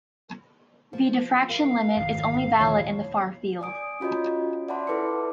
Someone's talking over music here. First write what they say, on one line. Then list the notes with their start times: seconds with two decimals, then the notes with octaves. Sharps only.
The diffraction limit is only valid in the far field.
0.93 F3
1.49 A#4 E5 F5
1.97 G#1 F2
2.34 D#3
2.60 D#2 A#2 D3 F3 E4 C#5
3.61 D5 G#5 D#6 D7
4.00 C#4 F4 F#4 C#5 D#5
4.68 D5 E5 F#5 A5 B5 C6
4.87 E4 A4 B4 A5 D6 C#7